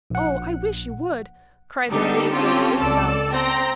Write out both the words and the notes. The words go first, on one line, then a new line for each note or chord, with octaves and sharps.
"Oh, I wish you would!" cried the relieved Lady Isabel.
A#1 F#5
D3 G3 B3 D#4 G4 A4
C4 C#4 F4 G4 A4
C#2 A4 D5 E6
C4 G5 A#5 A#6